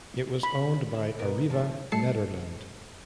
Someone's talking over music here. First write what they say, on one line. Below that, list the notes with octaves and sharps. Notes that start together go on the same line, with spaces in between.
It was owned by Arriva Nederland.
B5
E5
B2 B3 A#4
C3 F3 A3
G3 A3 A4 A5 C7 C#7